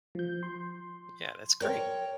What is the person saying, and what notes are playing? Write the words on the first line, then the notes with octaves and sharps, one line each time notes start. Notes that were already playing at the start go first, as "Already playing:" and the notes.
yeah, that's great.
F3 G6
C6
A#4 C#5 G5